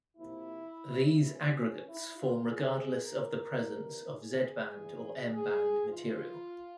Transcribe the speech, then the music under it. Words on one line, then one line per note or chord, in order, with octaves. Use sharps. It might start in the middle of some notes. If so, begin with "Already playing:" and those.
These aggregates form regardless of the presence of Z band or M band material.
C3 F3 A#3 E4
G2 F3 G#3 C#4
E4
F4
E2 C3 F3 G#3 G#4
A#4
F2 E3 G3
G#4
E2 C#3 E3 G#3
G#4
G#2 E3 G#3 F4